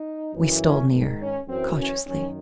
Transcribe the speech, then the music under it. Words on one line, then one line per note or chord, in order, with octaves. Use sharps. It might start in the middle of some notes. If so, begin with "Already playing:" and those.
We stole near, cautiously.
Already playing: D#4
F#2 C#3 E3
C#4
G#2 D#3
C#4
F#2 E3 C4
C#4
F#2 D#3 C#4